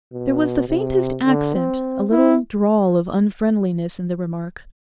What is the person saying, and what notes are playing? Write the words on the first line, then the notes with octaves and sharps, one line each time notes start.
There was the faintest accent, a little drawl of unfriendliness in the remark.
B2
C3
D3
C4
E4